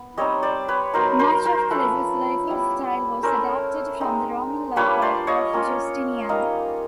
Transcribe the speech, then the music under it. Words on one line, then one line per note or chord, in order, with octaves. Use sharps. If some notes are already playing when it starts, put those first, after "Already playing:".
Much of the legislative style was adapted from the Roman Law Code of Justinian.
Already playing: B3
G3 C4 D#4 C#5 D#5
C5 D5
B4 C#5
F#3 B3 D#4 A#4 C5
A#4 C5
A#4 C5
F3 A3 C#4 A4 B4
G3 B3 E4
A3 C#4 E4 A#4 C5
G#3 C4 D#4
G3 A#3 D4 F4 B4 C#5
C5 D5
C#5 D#5
A#3 C#4 F4
G3 A#3 D#4 D#5 F5